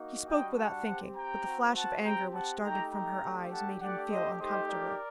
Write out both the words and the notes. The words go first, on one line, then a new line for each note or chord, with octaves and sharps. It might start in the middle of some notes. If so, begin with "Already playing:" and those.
He spoke without thinking, but the flash of anger which darted from her eyes made him feel uncomfortable.
Already playing: A#3 D#4 F#4
G3 D4 F#4 D#5 G5
F#5 A5
C4 G4
G5 A#5
C4 F#4
F#5 A5
C4 G4 G5 A#5
F#5 A5
A3 D#4 G4 G5 A#5
G5 A#5
A3 D4 G4
F#5 A5
A3 D4 G4 D5 F#5
C5 D#5
A3 D#4 G4 C5 D#5
A#4 D5